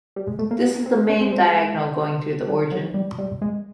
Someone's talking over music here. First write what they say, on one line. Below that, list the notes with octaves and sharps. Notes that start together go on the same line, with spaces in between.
This is the "main diagonal" going through the origin.
G3
G#3
A3
A#3
B3
C4
C#4
C4
C4
G#3
G3
F#3
G3
G3
G#3